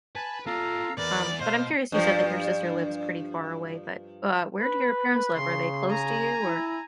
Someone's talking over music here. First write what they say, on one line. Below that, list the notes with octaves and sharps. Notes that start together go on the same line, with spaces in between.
Um, but I'm curious you said that your sister lives pretty far away, but, uh, where do your parents live? Are they close to you? Or
B4 G#5 A5
B3 F4 A4 F5 A#5
E2 A#4 B4 D5
B2 C5 D#5 F5
G2 F3
B4
C#3 C6
G#5 A#5
E4